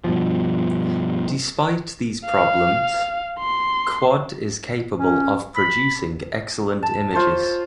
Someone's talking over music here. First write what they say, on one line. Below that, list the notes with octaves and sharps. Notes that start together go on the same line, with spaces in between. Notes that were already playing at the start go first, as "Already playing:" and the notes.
Despite these problems, Quad is capable of producing excellent images.
G2 B2 F3
F5
C6
C#4
B5
A5
F4 C5 C#5 A5